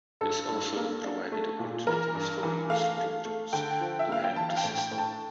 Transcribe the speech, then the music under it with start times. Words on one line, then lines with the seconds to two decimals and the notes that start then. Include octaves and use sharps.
This also provided opportunities for user programs to hang the system.
0.21 G2 A4
0.49 G2
0.76 A#3
1.04 D4
1.32 A3
1.59 A#2
1.87 E3 A#4
2.15 G2
2.43 E3
2.70 A3 F5
2.98 A3
3.25 A3
3.53 D3 G5
3.80 F3
3.99 E5
4.09 A#3 F5
4.24 G5
4.36 E3 A5
4.49 F5
4.57 G5
4.64 A2
4.78 G5
4.91 A2
4.98 A5